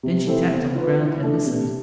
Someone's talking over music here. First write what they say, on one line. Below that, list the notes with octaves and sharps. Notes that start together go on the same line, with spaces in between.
Then she tapped on the ground and listened.
C3
E3 A3 C4
B3
F4 B4
E3
A3 D4
C3